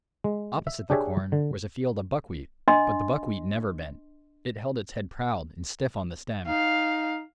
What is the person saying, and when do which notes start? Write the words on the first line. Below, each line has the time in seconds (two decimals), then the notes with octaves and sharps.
Opposite the corn was a field of buckwheat, but the buckwheat never bent; it held its head proud and stiff on the stem.
0.24 G#3
0.67 E5
0.90 D4 G4 G#4 C#5 E5 G#5
1.32 D3
2.68 D4 D#5 C6
6.47 D#4 F5